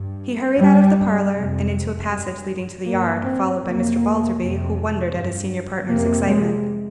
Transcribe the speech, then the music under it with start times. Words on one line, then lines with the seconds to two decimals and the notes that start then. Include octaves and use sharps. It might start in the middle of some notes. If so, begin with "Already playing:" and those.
He hurried out of the parlour, and into a passage leading to the yard, followed by Mr. Balderby, who wondered at his senior partner's excitement.
Already playing: G2
0.57 G2 G3
1.33 F2 C3
2.09 G2 G3
2.85 G2 A#3
3.23 C4
3.60 F2 C3 A#3
4.37 F2 C3
5.12 G2
5.88 F2 C3 A#3
6.27 G#3